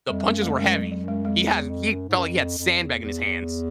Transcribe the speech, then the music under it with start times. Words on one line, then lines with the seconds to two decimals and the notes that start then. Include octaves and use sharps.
the punches were heavy. He had he felt like he had sandbag in his hands.
0.09 F2 G3
0.21 G3
0.25 F#2 G#3
0.42 F2 A3
0.58 F#2 G#3
0.75 F#3
0.81 F2
0.92 F#3
1.03 F#2
1.08 G#3
1.25 F2 G#3
1.48 E2
1.69 F2
1.92 F#2
2.09 G#2
2.17 F#2
2.25 F2
2.36 F#2
2.42 F2
2.58 F2
2.80 E2
3.02 E2
3.25 E2